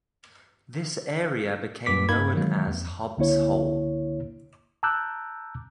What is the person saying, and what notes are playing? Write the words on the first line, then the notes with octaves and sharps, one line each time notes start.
This area became known as "Hobbs Hole".
F#2 G3 B4 D6 B6
G2 A#3 D#4 A#4 B5 G#6
D#3 E3 F#3 G#3 A#3
F2
C#2 D3 A#3 E4 C#5
A5 A#5 D6 E6 F#6 G6